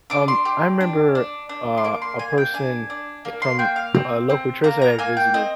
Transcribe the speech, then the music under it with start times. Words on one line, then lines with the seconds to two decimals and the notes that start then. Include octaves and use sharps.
um, I remember a a person er, from a local church that I visited.
0.10 D4 D6
0.28 C6
0.45 G4
0.81 D4
1.15 D4
1.49 D4
1.78 C6
1.84 A#3 D6
2.02 C6
2.19 A#3 G#5
2.38 G5
2.54 D4 G#5
2.90 D4
3.25 A#3
3.42 C6
3.59 A#3 G5
3.76 F5
3.95 C4
4.30 C4
4.64 A#3 A#5
4.82 A#5
4.99 A#3 G#5
5.17 G5
5.34 C4 D#5